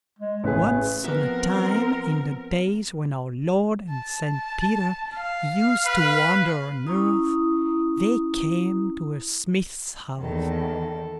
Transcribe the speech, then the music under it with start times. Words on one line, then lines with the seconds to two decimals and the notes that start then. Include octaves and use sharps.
Once on a time, in the days when our Lord and St Peter used to wander on earth, they came to a smith's house.
0.19 G#3
0.44 A1 G#4 B4
1.04 F3 B3 C4 A#4 E5
3.89 A5
4.32 A5
5.15 F5
5.86 B4
6.87 C#4 E4 A#5 D#6
10.19 E2 D#3 A#3 A4